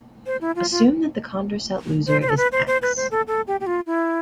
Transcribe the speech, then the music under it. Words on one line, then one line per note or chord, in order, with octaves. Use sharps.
Assume that the Condorcet loser is X.
C5
E4
F4
F4
C5
C5
A4
B4
C5
C5
B4
C5
A4
A4
G4
G4
F4
E4